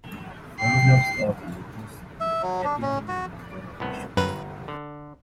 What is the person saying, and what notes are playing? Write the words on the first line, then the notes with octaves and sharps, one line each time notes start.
Photographs of Lupus would appear in a number of issues.
G5 C7
E5
F#3
D4
C#4
F#4
C2 A2 B3
G1 F#2 B4 A#5
D3